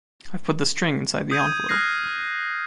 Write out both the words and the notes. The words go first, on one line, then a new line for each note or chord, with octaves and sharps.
I've put the string inside the envelope.
D#6 G6 G#6 D#7
D#6 F6 F#6 G#6 A#6 C7